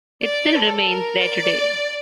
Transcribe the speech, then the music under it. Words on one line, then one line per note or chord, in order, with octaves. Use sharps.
It still remains there today.
D5
A4
A#4
D5